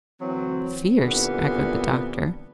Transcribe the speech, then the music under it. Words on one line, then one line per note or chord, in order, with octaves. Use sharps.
"Fierce!" echoed the doctor.
D2 E3 F#3 C4
A#2 D3 E3 G3 B3 C4